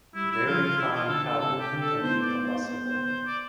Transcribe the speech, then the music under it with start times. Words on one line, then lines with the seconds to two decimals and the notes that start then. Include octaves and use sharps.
Very fine powder can be combustible.
0.15 G3 E4
0.31 E4
0.46 F3 F4
0.62 F4
0.77 E3 E4
0.93 F4
1.08 D3 A4
1.24 A4
1.39 C3 A4
1.60 G4
1.71 D3
1.81 A4
2.02 B3 C5
2.22 D5
2.44 C5
2.64 B3 C5
2.84 C5
3.05 C5
3.26 D5